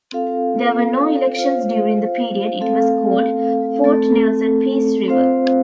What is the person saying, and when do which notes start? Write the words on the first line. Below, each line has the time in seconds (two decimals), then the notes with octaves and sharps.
There were no elections during the period it was called "Fort Nelson-Peace River".
0.12 C4 F4 A4 F5
1.36 F4 C5 F5
2.60 A3 C4 A4 F5
3.84 A3 C4 A4
5.08 C4 F4 C5 F5